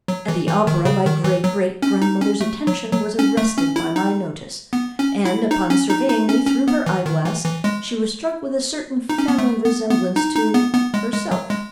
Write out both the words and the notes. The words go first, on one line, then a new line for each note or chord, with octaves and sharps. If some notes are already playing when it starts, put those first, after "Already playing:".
At the opera, my great, great, grandmother's attention was arrested by my notice; and, upon surveying me through her eye-glass, she was struck with a certain family resemblance to herself.
F#3
E3
E3
D#3
C#3
D#3
E3
F#3
C#4
D#4
C#4
A3
F#3
F#3
C#4
A3
C#4
E4
D#4
B3
C#4
E4
D#4
C#4
D#4
D#4
C#4
C#4
B3
E3
D#3
E3
E3
G#3
D#4
C#4
B3
A3
B3
B3
D#4
D#4
B3
B3
G#3
G#3
F#3
G#3